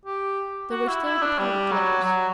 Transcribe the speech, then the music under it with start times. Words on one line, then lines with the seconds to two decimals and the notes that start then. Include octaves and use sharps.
There were still the private letters.
0.05 G4
0.71 F#4
0.88 E4
1.05 E4
1.22 D4
1.38 G3
1.71 F#3
2.04 F#3